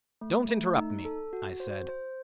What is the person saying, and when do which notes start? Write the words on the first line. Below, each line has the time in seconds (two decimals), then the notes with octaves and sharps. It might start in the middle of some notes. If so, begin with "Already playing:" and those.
"Don't interrupt me," I said.
0.21 A3
0.49 A3
0.77 D#4
1.05 A4
1.33 F#4
1.60 C5
1.89 C5